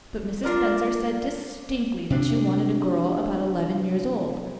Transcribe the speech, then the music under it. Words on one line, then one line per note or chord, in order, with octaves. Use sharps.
But Mrs. Spencer said DISTINCTLY that you wanted a girl about eleven years old.
D4 F4 A#4 D5
C3 D4